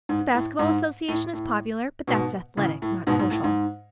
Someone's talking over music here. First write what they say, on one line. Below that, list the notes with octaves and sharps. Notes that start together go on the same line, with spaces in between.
The Basket Ball Association is popular; but that's athletic, not social.
G#2
A2
G#2
A2
A2
G#2 B2
A2 C#3
A2
G#2 B2
G#2
A2
G#2